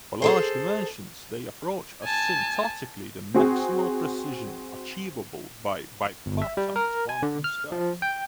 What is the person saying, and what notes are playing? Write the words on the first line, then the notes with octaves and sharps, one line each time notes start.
For large dimensions they approach asymptotically the maximal precision achievable by bipartite quantum states.
G#4 A4 C5
G#5 A5
C4 F#4 G#4
G1
E5
G3
A#4
G#5
D3
F6
F3
G5